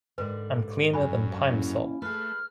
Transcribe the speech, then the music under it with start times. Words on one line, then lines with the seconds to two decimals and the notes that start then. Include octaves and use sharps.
I'm cleaner than Pine-Sol.
0.18 G#2 D3 G3 A#4 B4
0.93 F#2 G#5 B5
1.48 A#3 C#4 E4
2.02 A3 G#4 B4 F6